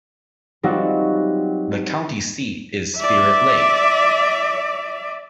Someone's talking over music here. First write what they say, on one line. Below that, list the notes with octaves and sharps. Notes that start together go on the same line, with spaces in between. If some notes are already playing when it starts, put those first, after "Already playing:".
The county seat is Spirit Lake.
F#3 G3 C4 D#4 F4 F#4
D5 E5